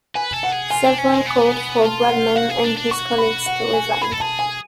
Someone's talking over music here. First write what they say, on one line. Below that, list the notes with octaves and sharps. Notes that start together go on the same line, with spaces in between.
Several called for Bradman and his colleagues to resign.
B4 G#5
A4
F#5
G#4
F4 G#5
D4
C#4
G#3
B3
F4 A5
F#5
F#4 F5
G#4
D4
D4
F#4 C#6
B5
F#5
G#5
G#4 B5
A4
G#4 A5
G#5